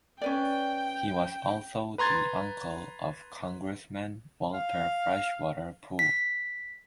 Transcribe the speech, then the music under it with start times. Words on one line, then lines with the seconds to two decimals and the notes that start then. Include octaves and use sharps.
He was also the uncle of Congressman Walter Freshwater Pool.
0.22 C#4 B4 D5 G5
1.98 B4 A#5 C6 G#6 A6
4.54 F5
5.99 B6